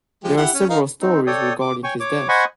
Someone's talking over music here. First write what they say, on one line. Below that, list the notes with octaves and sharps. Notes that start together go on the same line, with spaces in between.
There are several stories regarding his death.
F3 G#3 G4
E4 G4 F#5
C#4
D#4 A#4 F5
C4 D#4
A4 C#5 D5 G5 D#6
D6
C#5 G5 G#5 C#6
C#5 D6
C5 D#5 F#5 G#5 B5 C#6